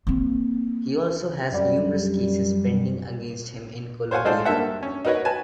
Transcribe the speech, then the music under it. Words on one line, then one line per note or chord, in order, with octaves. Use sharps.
He also has numerous cases pending against him in Colombia.
A#3 C4
F#2 G3
C5 C#5 F5 F#5 G#5
G#3 D#4 F4 A4 C5 D5
G2 A#3 A4 E5 F#5
C#4
D#4 F#4 A#4 B4 C#5 D#5
F#4 B4 G#5 A5